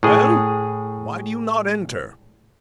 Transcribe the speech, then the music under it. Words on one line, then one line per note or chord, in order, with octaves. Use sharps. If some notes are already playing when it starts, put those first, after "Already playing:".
"Well! why do you not enter?"
A2 G#4